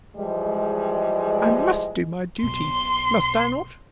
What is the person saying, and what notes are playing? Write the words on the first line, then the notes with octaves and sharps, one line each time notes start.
"I must do my duty, must I not?"
E3 F3 G3 G#3
B1 B2 C6